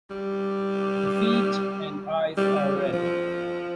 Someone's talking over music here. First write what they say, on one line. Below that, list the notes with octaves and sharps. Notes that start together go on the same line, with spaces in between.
The feet and eyes are red.
G3
G3
G3
F3
F3